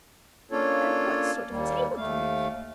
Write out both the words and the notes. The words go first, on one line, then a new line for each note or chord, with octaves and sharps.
And what sort of table do they keep?
A#3 C#4 D4 F4 A4 C#5
D#2 G3 A#3
D#2 A3 F5